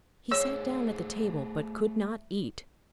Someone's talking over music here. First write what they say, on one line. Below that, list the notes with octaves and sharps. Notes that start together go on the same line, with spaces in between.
He sat down at the table, but could not eat.
A3 G#4 C5 C#5 E6